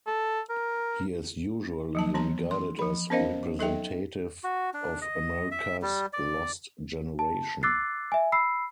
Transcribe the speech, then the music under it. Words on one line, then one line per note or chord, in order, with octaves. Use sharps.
He is usually regarded as representative of America's Lost Generation.
A4
A#4
F3 F#3 A5
E3 B3 A5 A#5
C6
F3 B5
B3 C#4 A#4 C5 D#5 F5
F#3 D#4 A4 D#5 E5 G5
F#4
D4
D#5
E5
G3
D5
A5
D6 E6 F#6 A6 C7
E5 G#5
B5 E6 C7